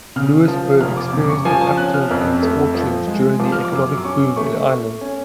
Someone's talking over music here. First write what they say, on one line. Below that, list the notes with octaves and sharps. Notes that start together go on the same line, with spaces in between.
Louisburgh experienced an upturn in its fortunes during the economic boom in Ireland.
C#3 F6
F3
F1 F6
D6
C#3 D6
C#6
F3 G#5
A5
C#4 F#6
F6
F2 F6
A3
F3
G#3
F3 D6
F6
D6
F#2
D6
C#4 C#6
A3 C#6
A3
C#4